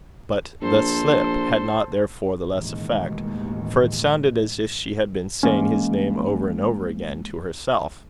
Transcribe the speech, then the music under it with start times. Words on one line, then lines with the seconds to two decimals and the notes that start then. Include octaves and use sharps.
But, the slip had not, therefore, the less effect; for it sounded as if she had been saying his name over and over again to herself.
0.62 A#1 A4 C5
2.54 A1 D#2 B2 G#3
5.43 E3 G#3 A#3 C#4